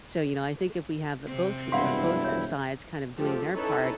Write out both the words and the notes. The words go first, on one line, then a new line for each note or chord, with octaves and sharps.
So, you know, I think if we have both, uh, both sides kind of doing their part,
C3 C4
E1 G2 E4 F5 F#5 C6
C#5 E5
F3 A3 G4 A4
C#4 D#4 E4 A4 B4 C#5